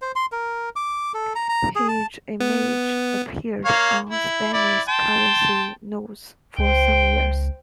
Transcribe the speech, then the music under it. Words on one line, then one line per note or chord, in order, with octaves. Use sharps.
His image appeared on Spanish currency notes for some years.
C5
C6
A#4
D6
A4
A#5
A#5
G#4
A5
B3
A#3 C#5 F5
E4
E4 D5
G5 A5 C6
C#2 C5 G5